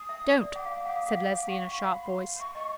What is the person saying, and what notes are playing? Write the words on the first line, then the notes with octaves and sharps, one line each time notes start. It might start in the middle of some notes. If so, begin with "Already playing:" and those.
"Don't," said Leslie in a sharp voice.
Already playing: D#6
E5
E5
D5
F#5 D6
F5
F5
F#5 D6
F5 D#6
F#5 D6
F5 D6
F5 D6
F#5 C#6
F5 C#6
F#5 C6
B5
C6
C6
E5 C#6
D#5 C#6